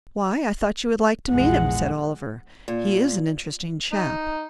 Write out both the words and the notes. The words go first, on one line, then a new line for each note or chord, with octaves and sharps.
"Why, I thought you would like to meet him," said Oliver; "he is an interesting chap."
A#1 E2 G#3 F#5
A#2
D#4